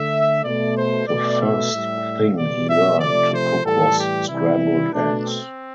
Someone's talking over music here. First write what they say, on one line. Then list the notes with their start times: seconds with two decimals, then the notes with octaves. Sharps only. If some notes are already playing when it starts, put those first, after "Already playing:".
The first thing he learned to cook was scrambled eggs.
Already playing: D3 A3 E5
0.44 B2 A3 D5
0.76 C5
1.08 B2 A3 D5
1.40 E5
1.72 A2 G3
2.36 B2 G3 D5
2.69 E5
3.00 C3 F3 A3 D5
3.33 C5
3.65 A2 E3 G3 A4
3.97 G4
4.28 C3 E3 G3 E4
4.93 B2 A3 D4
5.25 C4